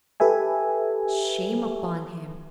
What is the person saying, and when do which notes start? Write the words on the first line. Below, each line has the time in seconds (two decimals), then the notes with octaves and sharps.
Shame upon him!
0.20 G4 A4 B4 E5 G#5